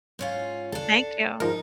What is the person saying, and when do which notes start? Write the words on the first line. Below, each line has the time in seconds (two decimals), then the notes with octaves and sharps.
Thank you.
0.19 G#2 C#4 F4
0.72 C#2 D4 A4
1.40 G#2 F3 D#4 A#4